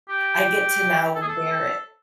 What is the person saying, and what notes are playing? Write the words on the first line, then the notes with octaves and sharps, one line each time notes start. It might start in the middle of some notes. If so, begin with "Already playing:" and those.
I get to now wear it.
G4
A4
G#4
A4